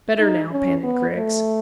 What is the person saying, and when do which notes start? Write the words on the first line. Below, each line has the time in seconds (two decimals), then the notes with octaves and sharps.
"Better now," panted Griggs.
0.19 D#4
0.51 C#4
0.83 B3
1.16 A3